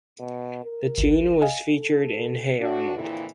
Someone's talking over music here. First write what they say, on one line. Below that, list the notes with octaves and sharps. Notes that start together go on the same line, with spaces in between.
The tune was featured in Hey Arnold!
B2
A#4
G#1 C#2
D#5 F5 G#5
A4
D4 F#4
F2 A#2 D3 E3 E4